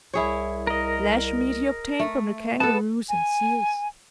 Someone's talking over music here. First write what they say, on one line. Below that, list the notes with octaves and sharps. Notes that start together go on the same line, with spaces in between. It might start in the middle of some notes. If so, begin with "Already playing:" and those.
Flesh meat he obtained from the kangaroos and seals.
C2 E4 G#4 C#5
A#4 D#5
A3
B3 A4 B4 A5
G#5